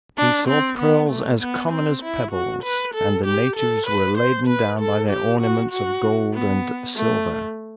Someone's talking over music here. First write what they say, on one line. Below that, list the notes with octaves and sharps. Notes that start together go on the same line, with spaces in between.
He saw pearls as common as pebbles, and the natives were laden down by their ornaments of gold and silver.
D4
C4
B3
A3
B3
C4
E4
F#4
B4
A4
G4
A4
B4
C5
B4
A4
G4
F#4
F#4
B3
A3